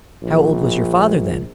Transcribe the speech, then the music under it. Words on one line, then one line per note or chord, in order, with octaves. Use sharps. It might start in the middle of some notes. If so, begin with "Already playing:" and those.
"How old was your father then?"
A#1